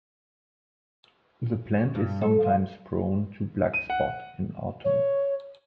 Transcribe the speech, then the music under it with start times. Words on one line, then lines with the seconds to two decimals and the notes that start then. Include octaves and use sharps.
The plant is sometimes prone to blackspot in autumn.
1.77 F#2
1.95 G2
2.21 A4
2.40 F3
3.74 D#7
3.90 F#5
4.84 C#5